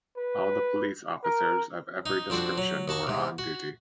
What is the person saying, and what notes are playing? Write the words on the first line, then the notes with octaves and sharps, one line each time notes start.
All the police officers of every description were on duty.
B4
A#4
D#4
F2 C4 D4 F#4
F#3
D#2 F#4 A5 C#6
G#2 C3
F#4